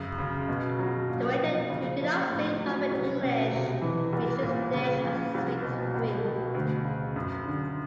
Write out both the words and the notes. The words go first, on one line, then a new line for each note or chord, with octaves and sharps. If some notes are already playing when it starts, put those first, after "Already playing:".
The waiter, who did not speak perfect English, introduced the dish as sweet wing.
Already playing: F#2 C#3
C#3
B2
F#3
A#2
F3
C#3
F3
A2
F#3
C2
B2
C3
E3
C2
A#2
C#3
F3
C2
B2
C#2
B2
D2
C#3
F#2
D3